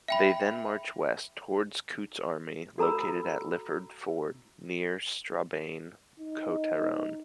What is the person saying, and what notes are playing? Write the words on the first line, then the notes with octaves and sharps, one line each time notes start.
They then marched west, towards Coote's army located at Lifford ford, near Strabane, Co.Tyrone.
E5 G5 B5
F#4 A4 A#5 B5 E6
D#4